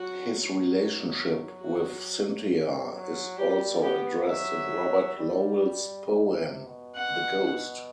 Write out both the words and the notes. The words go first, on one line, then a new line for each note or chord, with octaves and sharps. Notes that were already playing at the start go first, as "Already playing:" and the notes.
His relationship with Cynthia is also addressed in Robert Lowell's poem, The Ghost.
Already playing: F#3 F#4
F#4
F#3
G3 G4
B3 G4
F#3 E5
G3
G3
C3
B2
F#5